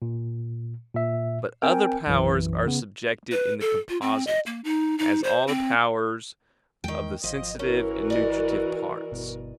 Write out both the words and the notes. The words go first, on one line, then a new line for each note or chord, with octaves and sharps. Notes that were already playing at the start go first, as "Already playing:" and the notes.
But other powers are subjected in the composite; as all the powers of the sensitive and nutritive parts.
A#2
A#2 E5
C4 A#4 G5 G#5
B1 F#2 E3
C#3 B3
B4
A4
F4
C4
D#5
A#3
D#4
D#4
C5
C4
E2 D#3 G#3 G5
G#1 F3 D#5
E3 C#4 F#4 A#4
D5 D#5
G1 B2